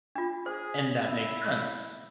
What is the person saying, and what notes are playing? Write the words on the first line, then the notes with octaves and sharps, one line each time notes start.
and that makes sense.
D4 F4
G#4 C5
E4